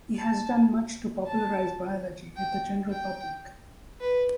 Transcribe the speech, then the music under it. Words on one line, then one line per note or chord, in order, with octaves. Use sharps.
He has done much to popularise biology with the general public.
A5
A5
G5
G5
B4